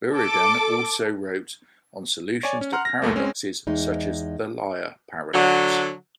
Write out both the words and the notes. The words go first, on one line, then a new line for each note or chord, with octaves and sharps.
Buridan also wrote on solutions to paradoxes such as the liar paradox.
A4 D6
C#5 D5 G#5
C#4
F#5 A#5 C6 F6
A#6
C#2 F#2 A3 A#3
G#3 C4 C#4
E2 G#3 D#4
D3 F#3